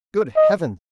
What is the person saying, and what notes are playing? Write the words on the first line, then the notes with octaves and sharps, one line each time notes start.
Good heavens!
D#5